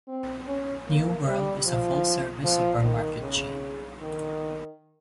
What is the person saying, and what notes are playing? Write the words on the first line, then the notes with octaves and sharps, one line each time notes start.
New World is a full-service supermarket chain.
C4
C#4
A#3
G3
F3
F3
D#3
C#3
D#3